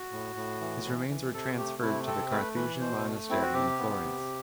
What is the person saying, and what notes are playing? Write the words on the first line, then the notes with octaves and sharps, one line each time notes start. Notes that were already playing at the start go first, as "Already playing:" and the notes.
His remains were transferred to the Carthusian monastery in Florence.
Already playing: F#4
A2
A2
E3
E3
E3
C3 A4
A3 G4
C3 E4
C4 A4
A3 B4
E3 B4
B2 C5
A3
C4 E4
F#4
C3 G4
B3
C3